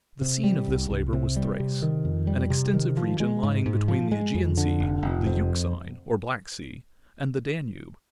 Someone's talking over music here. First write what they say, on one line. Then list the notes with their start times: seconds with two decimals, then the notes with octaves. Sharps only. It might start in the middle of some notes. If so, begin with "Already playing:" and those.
The scene of this labor was Thrace, an extensive region lying between the AEgean Sea, the Euxine or Black Sea, and the Danube.
0.21 C3
0.44 G3
0.68 C2
0.90 C2
1.13 C3
1.36 G3
1.60 C3
1.82 D#3
2.05 F2
2.27 G3
2.50 C3
2.74 D#3
2.97 F3
3.20 G#3
3.43 G#2
3.66 G#2
3.88 F3
4.12 G#3
4.34 F2
4.57 D3
4.80 F1
5.03 F1
5.26 F2